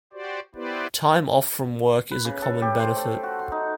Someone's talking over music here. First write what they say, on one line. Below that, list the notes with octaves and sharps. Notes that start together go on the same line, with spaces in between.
Time off from work is a common benefit.
F#4 G4 C5 D5
B3 E4 G4 B4 C5 D5
B4
C#3
A4
G4
C5
A3
F#4
C6
D#4